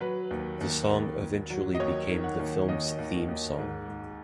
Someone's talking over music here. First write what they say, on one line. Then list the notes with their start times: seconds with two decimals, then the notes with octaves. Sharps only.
The song eventually became the film's theme song.
0.01 F#3 B4
0.31 D#2
0.61 D#2
0.90 D#2
1.20 D#2
1.50 F#3
1.75 D#5
1.80 D#2 C#5
2.10 D#3
2.24 F#5
2.40 D#2
2.69 D#2 D#5
2.98 D#2
3.28 D#2
3.58 G#2
3.88 G#2